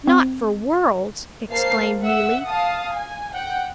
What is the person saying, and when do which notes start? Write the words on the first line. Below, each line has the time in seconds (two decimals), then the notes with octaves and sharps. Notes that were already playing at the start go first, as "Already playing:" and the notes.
"Not for worlds!" exclaimed Neelie.
0.07 C4
1.50 A#3 C5 F5 A5 C7
2.02 E5 F#5 E6
2.47 F5 A5 D#6
2.93 G#5
3.33 F#5 G5